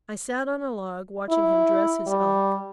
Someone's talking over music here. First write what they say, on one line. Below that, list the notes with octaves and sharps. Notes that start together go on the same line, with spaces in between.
I sat on a log watching him dress his elk.
E4
G3